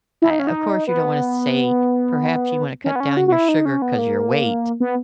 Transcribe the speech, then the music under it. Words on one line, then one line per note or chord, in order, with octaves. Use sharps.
uh, of course you don't wanna say, "Perhaps you wanna cut down your sugar 'cause your weight."
E4
D#4
C#4
D#4
B3
C#4
B3
C#4
F#4
F#4
E4
D#4
C#4
B3
A#3
B3